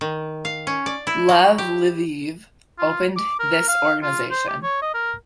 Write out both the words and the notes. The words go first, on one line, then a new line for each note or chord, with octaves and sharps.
Lev Leviev opened this organization.
D#3
F5
C#4
D5
E4
F#3
G4
F4
D6
A#4
F5
F4
C5
G4
C#5
D#5
A#4